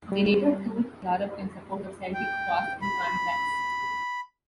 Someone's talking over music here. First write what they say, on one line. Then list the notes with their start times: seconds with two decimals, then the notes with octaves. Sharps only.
They later toured Europe in support of Celtic Frost and Anthrax.
0.12 G3
2.14 G5
2.82 B5